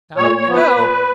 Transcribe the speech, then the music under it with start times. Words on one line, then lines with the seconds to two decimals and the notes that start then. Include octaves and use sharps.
'Down you go!
0.17 A#2 C#5
0.37 C#5
0.46 F3 B3
0.56 B4
0.75 A#2